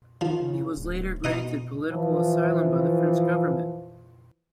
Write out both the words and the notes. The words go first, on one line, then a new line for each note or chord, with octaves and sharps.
He was later granted political asylum by the French government.
D#3 F3
C#3
D1
B2 D#4 D#5 D#6
E3 F3